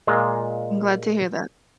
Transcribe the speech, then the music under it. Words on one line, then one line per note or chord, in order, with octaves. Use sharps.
I'm glad to hear that.
A#2 G#3 F4